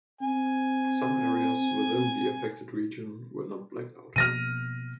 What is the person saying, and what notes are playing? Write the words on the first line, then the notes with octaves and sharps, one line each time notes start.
Some areas within the affected region were not blacked out.
C4 G#5
B2 F3 A#3 F6 A#6 D#7